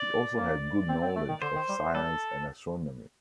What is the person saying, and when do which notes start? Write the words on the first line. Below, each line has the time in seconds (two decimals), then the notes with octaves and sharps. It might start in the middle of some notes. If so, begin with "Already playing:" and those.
He also had good knowledge of science and astronomy.
Already playing: D5
0.36 A#3
0.89 C4
1.02 C4
1.16 A3
1.29 D#3
1.42 D3 C5
1.55 D#3
1.69 G3
1.95 G3 A4